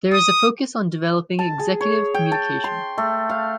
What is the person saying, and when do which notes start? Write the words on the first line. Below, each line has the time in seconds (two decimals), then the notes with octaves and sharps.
There is a focus on developing executive communication.
0.13 D#6
1.39 A5
1.59 G#4
1.81 C#5
2.14 G5
2.32 A5
2.64 C6
2.98 A3
3.30 F5